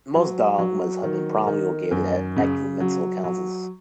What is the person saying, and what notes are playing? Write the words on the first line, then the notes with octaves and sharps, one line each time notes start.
Most dogmas have been promulgated at ecumenical councils.
F#3
F#3
D#3
D#3
F#2
C#3
F#3
F#3